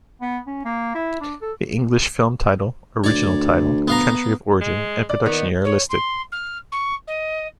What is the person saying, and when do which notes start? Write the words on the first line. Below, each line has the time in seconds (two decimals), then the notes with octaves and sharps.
The English film title, original title, country of origin and production year are listed.
0.22 B3
0.47 C#4
0.65 A#3
0.95 E4
1.21 D4
1.42 A4
3.04 D2 C#5 D5
3.88 B3 F5 A#5
4.61 G#3
5.09 D5
5.26 D#3 B3 D#4
5.64 C#5
5.89 C6
6.32 F6
6.72 C#6
7.07 D#5